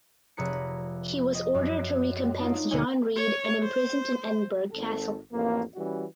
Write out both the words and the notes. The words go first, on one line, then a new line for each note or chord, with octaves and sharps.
He was ordered to recompense John Reid and imprisoned in Edinburgh Castle.
F1 C3 G#4 B4 A#5 C#7
D#5
F#2
D4 D#4 F4
D2 B2 D3 G#3 C#5 G#5
C#5
C5
G#1 A4
A1 F2 A#3
E3 G3 C#4 F#4